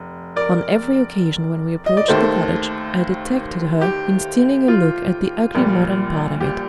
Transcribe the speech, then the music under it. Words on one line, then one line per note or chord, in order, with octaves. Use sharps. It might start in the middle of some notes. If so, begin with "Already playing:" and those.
On every occasion when we approached the cottage, I detected her in stealing a look at the ugly modern part of it.
Already playing: F1
A#4 D5
D#5
D5
D#2 D#3 A3 A4 C5
G4
F4
A#1 A#2 G3
G4